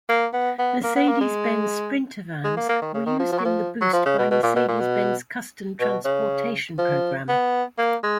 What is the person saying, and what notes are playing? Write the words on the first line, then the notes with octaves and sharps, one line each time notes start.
Mercedes-Benz Sprinter vans were used in the Boost by Mercedes-Benz custom transportation program.
A#3
B3
B3
A#3
B3
A#3
G#3
G#3
A#3
A#3
D#3
C#3
D#3
F3
F3
F#3
F3
F#3
F3
C#3
B2
B2
A#2
B2
A#2
B2
B2
C#3
F3
B3
A#3
G#3